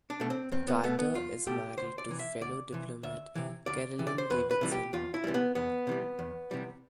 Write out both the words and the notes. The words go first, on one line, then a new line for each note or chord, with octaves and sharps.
Carter is married to fellow diplomat Carolyn Davidson.
D4
B2 A3
C4
E2 C4
B3
B2 A3 B3
B3
E2 F4
B2 A3 G4
D2 C5
D5
C3 E3
E5
D2 D5
C3 E3
D2 E5
C3 E3
D2 D5
C3 E3
D5
C5
E2 B4
B4
C3 E3 G3
G4
E2 F4
E4
C3 E3 G3
B3
E2 B3
C3 E3 G3
E2
C3 E3 G3